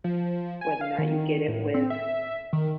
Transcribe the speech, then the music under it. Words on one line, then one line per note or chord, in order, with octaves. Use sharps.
whether or not you get it with
F3
G#5
F5
D#3
A2
C4
E5
D#3